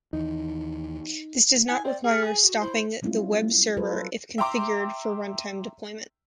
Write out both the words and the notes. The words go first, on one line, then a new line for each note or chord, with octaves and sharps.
This does not require stopping the web server if configured for runtime deployment.
D#2 E3 D#4
E4 G#5
C4 D5
G#4 F6
G#5
F#4
E4 C5
F#3 G3 C4 C#4 E4 F4
F#3 F4 A4 B4 C5
E5 G5 A#5 C6 D6